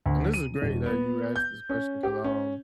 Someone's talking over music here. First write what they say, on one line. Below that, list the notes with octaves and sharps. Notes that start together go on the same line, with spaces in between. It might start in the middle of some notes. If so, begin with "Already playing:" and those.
and this is great that you asked this question 'cause, um,
D2
D#7
D#1
B3
G6
C#4
G4
C#4